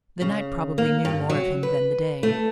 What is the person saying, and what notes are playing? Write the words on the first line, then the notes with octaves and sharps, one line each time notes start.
The night probably knew more of him than the day.
C#3
A#3
G2
F#3
B4
A3